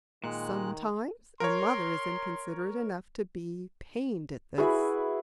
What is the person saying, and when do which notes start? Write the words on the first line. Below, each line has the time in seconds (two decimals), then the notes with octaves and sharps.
Sometimes a mother is inconsiderate enough to be pained at this.
0.24 A#2 D#3 G#3 F#6
1.40 A#4 C#5 C6
4.58 E4 F#4 G#4 B4